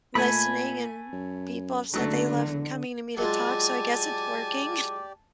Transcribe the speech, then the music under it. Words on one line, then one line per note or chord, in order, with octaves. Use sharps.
listening, and people have said they love coming to me to talk, so I guess it's working.
A#2 A3 G#5 B5
F#2
F#1 D3 F#3 A3
E1
F#3 G#3 F4 G4 D5 G#5 A5